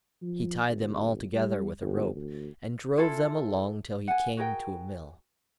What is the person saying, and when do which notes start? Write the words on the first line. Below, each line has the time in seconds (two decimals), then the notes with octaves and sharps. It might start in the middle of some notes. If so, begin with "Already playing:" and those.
He tied them all together with a rope, and drove them along till he came to a mill.
0.22 F3
0.69 G1
1.33 G3
1.82 G1
2.16 D2
2.97 E4 F4 G#4 A4
4.08 F#5 G#5
4.37 F#4 G#4 A#4 G5